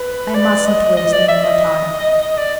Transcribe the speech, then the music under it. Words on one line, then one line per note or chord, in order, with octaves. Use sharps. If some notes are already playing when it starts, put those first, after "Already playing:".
I mustn't waste any more time.
Already playing: B4
D5
D#5
D#5
D5
E5
D#5
D#5
D5